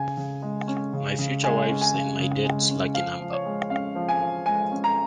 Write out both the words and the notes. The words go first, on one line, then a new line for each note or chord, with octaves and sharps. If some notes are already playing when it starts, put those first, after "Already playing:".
My future wife's and my dad's lucky number.
Already playing: C#3 G#5
C#3
G#3
C#4
C#3
C#3
G#3 G#5
C#4
G#5
C#3
C#3
G#3
C#4
F3 F5
F3
C#5
G#3
C#4 F5
F3
G#5
F3
G#3 G#5
C#4
A#5